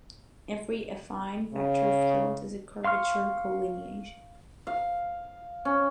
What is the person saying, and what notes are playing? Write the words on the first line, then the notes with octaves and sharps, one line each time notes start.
Every affine vector field is a curvature collineation.
C#3
F5 C6 C#6 F6
F5
C#4